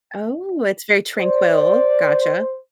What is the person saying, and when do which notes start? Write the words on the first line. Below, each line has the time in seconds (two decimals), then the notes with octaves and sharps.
Oh, it's very tranquil, gotcha.
1.19 C5 D5